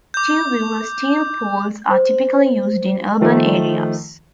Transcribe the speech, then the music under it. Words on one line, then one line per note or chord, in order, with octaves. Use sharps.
Tubular steel poles are typically used in urban areas.
D6 G6
C5
D#3 F3 A3